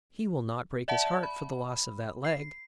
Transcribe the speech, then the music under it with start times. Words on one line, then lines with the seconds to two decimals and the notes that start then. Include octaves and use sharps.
He will not break his heart for the loss of that leg.
0.88 D5 E5 F#5 A5
1.23 B5
2.25 C7